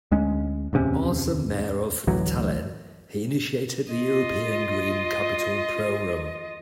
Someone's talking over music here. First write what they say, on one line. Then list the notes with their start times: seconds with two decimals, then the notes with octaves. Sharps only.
As a Mayor of Tallinn he initiated the European Green Capital programme.
0.11 D2 G#3 C#4
0.73 D1 E2 C3 C#4
2.07 A1 D2 E3 F#3
3.92 F4 D#5